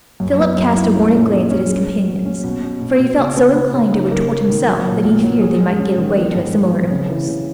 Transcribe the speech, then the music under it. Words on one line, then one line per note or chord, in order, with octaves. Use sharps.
Philip cast a warning glance at his companions, for he felt so inclined to retort, himself, that he feared they might give way to a similar impulse.
F#2
B3
F#2
E4
C#4
A#2
C#4
C#4
G#4
C#4
F#3
C#4
B2
C#4
B2
B2
C#3
B3
B3
C#3
D#4
A#3
A#3
D#3
F#3
A#2
A#2
F#3
G#4
G#3
C#4
D#3
B3
G#2
F#3
B3
C#3
E3
C#3